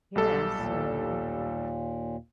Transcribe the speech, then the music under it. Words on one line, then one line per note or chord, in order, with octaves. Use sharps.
Yeah, so
B1 G3 A4
D#2 A#2